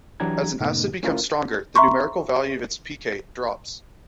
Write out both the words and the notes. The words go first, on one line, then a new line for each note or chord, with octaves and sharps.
As an acid becomes stronger, the numerical value of its pK drops.
E3 F#3 D4 G4 A#5 G#6
G2 A#2 C#3 A3 B3 D#4
A3 C#4 E4 F4 A#4
E5 A#5 C6 C#6